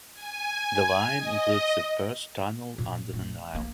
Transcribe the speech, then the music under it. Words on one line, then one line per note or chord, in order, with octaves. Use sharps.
The line includes the first tunnel under the Nile.
G#5
D#5
A#2
A3
A#3